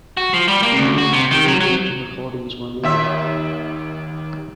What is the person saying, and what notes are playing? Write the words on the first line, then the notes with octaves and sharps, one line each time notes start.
Numerous radio recordings were made.
F#4
F3
G3
A#3
D2
F#4
C3
D#3
F#3
F#3
D#2 E5